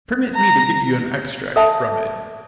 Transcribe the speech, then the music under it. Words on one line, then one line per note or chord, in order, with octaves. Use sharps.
Permit me to give you an extract from it.
A#5
A4 E5 A5